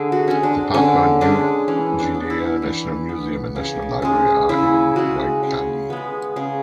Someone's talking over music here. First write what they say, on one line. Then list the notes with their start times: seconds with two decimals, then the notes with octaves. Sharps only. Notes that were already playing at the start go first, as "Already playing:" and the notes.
The Papua New Guinea National Museum and National Library are in Waigani.
Already playing: D3 G#4
0.12 F#4
0.28 G#3 C#4
0.43 D4
0.74 D3 C#4
1.21 G#3 C#4 D4
1.68 E3 C#4
1.99 D4
2.14 B3
2.30 E4
2.62 E3
3.09 B3
3.55 C#3
4.02 G#3 C#4
4.49 C#3 E4
4.96 G#3 C#4 F#4
5.43 C#3
5.90 G#3 B3
6.36 C#3